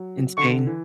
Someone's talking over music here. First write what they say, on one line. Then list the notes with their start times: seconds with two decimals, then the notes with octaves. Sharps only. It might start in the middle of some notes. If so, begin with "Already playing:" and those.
in Spain?
Already playing: F#3
0.37 D3 C#6
0.67 E3